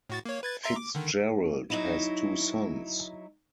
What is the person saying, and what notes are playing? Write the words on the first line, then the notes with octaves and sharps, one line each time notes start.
Fitzgerald has two sons.
A2 F#4 A6
A#3 C#5
B4 G#6 A6
E5 A#5 C6
D6
D3 D#3
F#3 D#4 E4